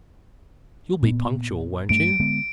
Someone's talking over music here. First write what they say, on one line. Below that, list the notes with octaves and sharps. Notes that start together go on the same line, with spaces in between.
"You'll be punctual, won't you?"
A#2 B3
G2 A3 D7
D3 G#3 B3